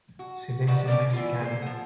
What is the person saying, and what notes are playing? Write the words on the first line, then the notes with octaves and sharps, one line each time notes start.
She lives in Mexicali.
F#4
D#3 G3 F#4 B4 F#5
C#4 G4 A4 A#4 D5
E3 B3 F4
G#4 C5
F3 F#5